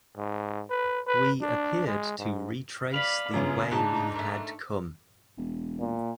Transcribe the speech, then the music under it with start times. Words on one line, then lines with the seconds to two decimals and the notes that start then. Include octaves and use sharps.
We appeared to retrace the way we had come.
0.17 G#2
0.70 B4
1.07 B4
1.41 D4
1.87 G#3
2.19 G#2
2.94 B4 D5 F5 B5 F7
3.33 F#2 C#3 B3 F4
3.71 G#2 C#3 D4 D#4 A5
4.15 A3 A#4
5.38 E1
5.80 A#2